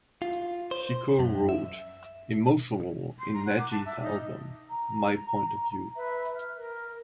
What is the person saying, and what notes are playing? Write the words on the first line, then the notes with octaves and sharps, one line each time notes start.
She co-wrote "Emotional" in Najee's album "My Point of View".
F4
C5
F#2
E5
C6
A#5
F#5
D6
A5
E5
D#4
A#5
B4 E5
F6
A#4